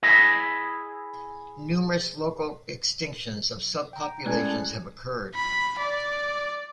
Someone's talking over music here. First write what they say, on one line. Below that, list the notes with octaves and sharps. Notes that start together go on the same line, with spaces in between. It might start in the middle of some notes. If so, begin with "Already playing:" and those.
Numerous local extinctions of subpopulations have occurred.
E4 G#4 B4 D#5 E5
G5 A#5
A2 G#3 C#4 A4 D5 G#5 F#6 G#6
B5
D5